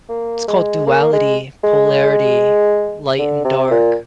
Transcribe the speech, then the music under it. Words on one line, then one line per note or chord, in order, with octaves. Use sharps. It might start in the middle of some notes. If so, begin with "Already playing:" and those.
It's called "duality," "polarity," "light and dark,"
A#3
G#3
A#3
G#3
G#3
D3
C3
A#2